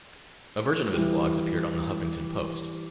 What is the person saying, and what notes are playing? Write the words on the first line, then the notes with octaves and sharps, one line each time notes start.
A version of his blogs appeared on "The Huffington Post".
E3 G3